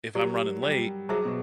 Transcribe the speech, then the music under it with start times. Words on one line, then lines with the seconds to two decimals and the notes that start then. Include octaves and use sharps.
if I'm running late
0.15 F#3 G4 A#4 D5
0.62 G3
1.09 F#3 G#4 C5 E5 A5
1.25 B2